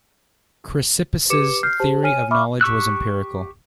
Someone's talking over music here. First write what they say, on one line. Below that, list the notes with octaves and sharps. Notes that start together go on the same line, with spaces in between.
Chrysippus's theory of knowledge was empirical.
G4 B4 D6 C#7 E7
F6 G6 C7
G4 C5 A5
C#5 G#5 F6 D#7
E5 B5 C#6 D6 F6
G4 C#6 E6 F#6